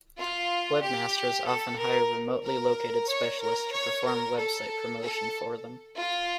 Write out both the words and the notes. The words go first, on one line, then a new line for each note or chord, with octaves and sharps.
Webmasters often hire remotely located specialists to perform website promotion for them.
F4
G4
A4
A#4
A#4
C#5
A#4
C#5
A#4
A4
A4
F4